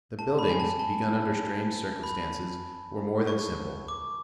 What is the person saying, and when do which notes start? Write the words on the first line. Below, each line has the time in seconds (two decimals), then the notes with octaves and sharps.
The buildings, begun under straitened circumstances, were more than simple.
0.19 A5
0.39 B5
0.50 G#5
0.60 A5
0.79 A5
2.03 B5
3.27 C#6
3.88 D6